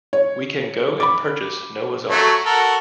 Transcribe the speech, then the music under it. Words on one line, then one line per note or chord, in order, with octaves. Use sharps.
We can go and purchase Noah's arks.
C#5
B5 D6
F#3 A3
F#4 A4 A#4